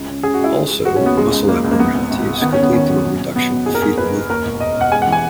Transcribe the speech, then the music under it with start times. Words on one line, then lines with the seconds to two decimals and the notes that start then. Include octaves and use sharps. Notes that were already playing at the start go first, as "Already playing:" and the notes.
Also muscle abnormalities could lead to a reduction of fetal movement.
Already playing: C#2
0.08 C#3
0.23 C#3 G#4
0.34 F#4
0.39 C#2
0.44 E4
0.55 G#3
0.70 G#3
0.85 G#3 F#4
0.96 C#4
1.02 D#2 B3
1.17 C#2 G#3
1.33 C#2
1.48 C#2 A#3
1.64 C#2
1.71 A#3
1.79 G#1 B3
1.95 G#1
2.11 G#1
2.27 G#2
2.41 D#3 B3
2.53 C#4
2.58 E2
2.63 B3
2.73 D#3 C#4
2.89 F#3
3.05 B2
3.20 B2
3.35 B2 B3
3.51 B2
3.66 F#1 G#4
3.75 A#4
3.82 E2 G#4
3.98 F#1 B4
4.14 F#1
4.30 D#2 A#4
4.45 E1
4.60 E1 D#5
4.76 E1 F#5
4.92 G#3 G#5
5.02 F#5
5.07 E3
5.12 G#5